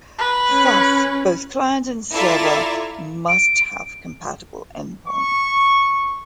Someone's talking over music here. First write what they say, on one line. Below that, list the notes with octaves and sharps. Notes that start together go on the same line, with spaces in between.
Thus, both client and server must have compatible endpoints.
B4
C#4
E4 F4 A4 D5 E5 A#5
D7
C#6